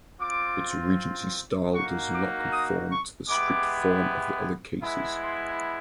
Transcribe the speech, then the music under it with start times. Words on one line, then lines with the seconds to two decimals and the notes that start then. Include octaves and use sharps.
Its Regency style does not conform to the strict form of the other cases.
0.20 C4 F4 D6
1.75 A#3 D#4 F#4 C#6
2.13 D6
2.52 D#6
2.90 C#6
3.28 G#3 B3 E4 G4 D6
4.83 G#3 B3 E4
5.21 C6